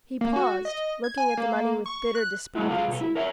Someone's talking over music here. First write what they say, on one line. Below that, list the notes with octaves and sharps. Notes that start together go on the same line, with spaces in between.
He paused, looking at the money with bitter despondency.
A#3
F#4
D#5
G#6
G#5
A#3
C#6
F#6
G3 A3 D#4 E4 F#4
C#3 F4 G#4 F5
B2 F#4 A4
E4
A#4 C#5 E5